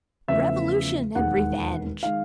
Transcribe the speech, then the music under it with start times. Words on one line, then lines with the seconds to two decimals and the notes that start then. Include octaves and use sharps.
Revolution and Revenge!
0.28 E2 C#3 F3 A3 E5
1.15 E1 D#2 D#3 G#3 F#5
2.03 D#3 G#3 F5